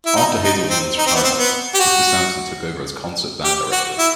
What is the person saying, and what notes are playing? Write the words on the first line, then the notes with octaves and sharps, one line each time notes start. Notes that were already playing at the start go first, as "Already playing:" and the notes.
After Hazelman's retirement, Mr. Sampson took over as concert band director.
E4
D#4
D#4
C4
D#4
C4
B3
C4
B3
G4
F#4
G4
F#4
E4